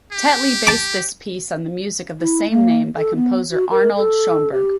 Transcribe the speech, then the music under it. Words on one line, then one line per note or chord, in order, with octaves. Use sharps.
Tetley based this piece on music of the same name by composer Arnold Schoenberg.
G4
A5 D6
E4
A#3
A4
B3
F#4
A#4
A4
G4